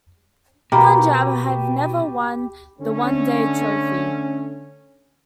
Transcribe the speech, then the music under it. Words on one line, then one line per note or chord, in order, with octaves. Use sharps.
Punjab have never won the one-day trophy.
B2 A#3 G4 B5
D3 A3 C#4